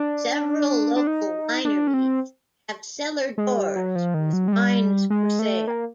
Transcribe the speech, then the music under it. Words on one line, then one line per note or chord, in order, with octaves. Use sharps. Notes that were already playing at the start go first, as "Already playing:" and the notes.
Several local wineries have 'cellar doors' with wines for sale.
Already playing: D4
D4
D#4
D4
C#4
C4
G#3
G3
F#3
F3
D#3
F#3
G#3
G3
G#3
A3
A#3